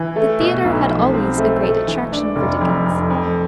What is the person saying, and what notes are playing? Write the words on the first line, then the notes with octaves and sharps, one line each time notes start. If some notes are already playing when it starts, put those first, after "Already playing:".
The theater had always a great attraction for Dickens.
Already playing: E3
A3
B2
B1
F3
C4
A3
A3
E3
D4
F1
F2
F2
F2